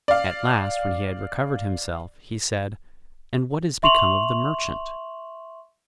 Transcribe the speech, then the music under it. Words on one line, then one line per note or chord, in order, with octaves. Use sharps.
At last, when he had recovered himself, he said, "And what is become of the merchant?"
D5 F5
E5 C6 C#6 F7 F#7